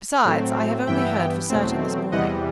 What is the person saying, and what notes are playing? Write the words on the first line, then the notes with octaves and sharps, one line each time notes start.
"Besides, I have only heard for certain this morning."
A2 F#3 A3 C4
G2 E3 B3 E5 G5
E2 B2 F#3 A3 C4
E2 C3 E3 G3 D#5 F#5